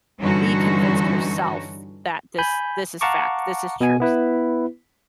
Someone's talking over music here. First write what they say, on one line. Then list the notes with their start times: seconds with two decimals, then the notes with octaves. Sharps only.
be convinced yourself that this this is fact, this is truth,
0.19 G2 D3 E3 C#4 D#4 F#4
2.38 G#5 B5 G6
3.01 F5 F#5 A5 A#5 C#6 D6
3.81 B2 B3 G#5
4.00 B3 E4 B4